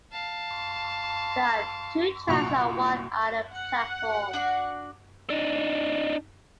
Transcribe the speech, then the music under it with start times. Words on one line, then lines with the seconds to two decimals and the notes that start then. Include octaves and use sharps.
There are two tracks and one island platform.
0.12 F5 A5
2.28 C2 A#2 F#3 F#5 C#6 F7
3.52 F#5
4.33 D4 F#4 D5
5.30 D4 D#4